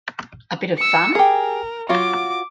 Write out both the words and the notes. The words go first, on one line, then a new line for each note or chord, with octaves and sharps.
A bit of fun?
E6 C#7
G4 G#4 A#4
F#3 F4 F#4 D6